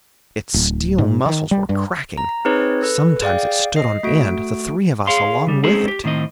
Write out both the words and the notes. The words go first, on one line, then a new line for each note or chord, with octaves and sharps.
Its steel muscles were cracking. Sometimes it stood on end, the three of us along with it!
D1
G#2
D#3
G3
G2
A#5
C4 D#4 G#4 B4 C#5
A4 B4
G#4 D5 F5 G5
D#5 C7
A3 F#4 D7
G#4 C#5 F5 C6
C#3 G3
G#3 C4 C#4 D#4 G#4 A4
G4
A2 D#3 C4 D#5